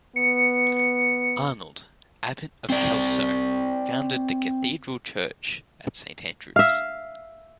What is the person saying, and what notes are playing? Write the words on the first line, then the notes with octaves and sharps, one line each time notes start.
Arnold, Abbot of Kelso, founded the cathedral church at Saint Andrews.
B3 C#7
C4 D5
E5 F5